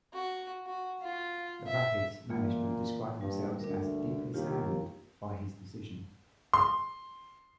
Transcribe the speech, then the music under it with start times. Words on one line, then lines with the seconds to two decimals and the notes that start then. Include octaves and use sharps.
The Rapids' management described themselves as "deeply saddened" by his decision.
0.14 F#4
0.66 F#4
1.02 F4
1.66 E5
2.29 A#2 E3 A#3 F4
3.21 G2 G3
3.60 D2 D4 A#4
4.34 D#2 F4 G4
6.53 C6